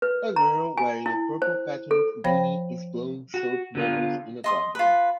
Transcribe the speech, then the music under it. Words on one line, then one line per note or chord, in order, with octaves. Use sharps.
A girl wearing a purple patterned beanie is blowing soap bubbles in a garden.
B4
A#5
G#5
E4
C5
A4
F3 C5 C#5 G5 B5 A#6
F#4
D3 B3 F4
D#5 C6 D#6
F4 B4